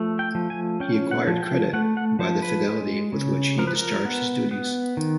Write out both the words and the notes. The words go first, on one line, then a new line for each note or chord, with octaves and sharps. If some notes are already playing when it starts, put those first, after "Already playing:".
He acquired credit by the fidelity with which he discharged his duties.
Already playing: F3 A3
G5
F3
G#5
C#4 G5
F#5
F3
G5
A3 F#5
F#5
F3 C5
B4
G#3
C#3
F3 A#4
B4
A#4
B3
B3
D#3